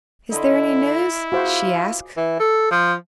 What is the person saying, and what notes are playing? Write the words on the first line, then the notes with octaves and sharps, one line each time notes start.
"Is there any news?" she asked.
D3 E4 D#5 B5 C6
F4 F#4 G#4 C5 F#5 D6
E3
A4
F3